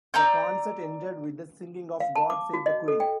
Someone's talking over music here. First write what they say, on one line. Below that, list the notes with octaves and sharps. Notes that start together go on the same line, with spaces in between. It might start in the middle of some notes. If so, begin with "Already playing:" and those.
The concert ended with the singing of "God Save the Queen".
D5 A#5 E6 G6
F5
A5
D6
F#4
D#5
A4
G5